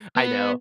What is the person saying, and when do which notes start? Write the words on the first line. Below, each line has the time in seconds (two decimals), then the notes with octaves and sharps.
I know.
0.16 B3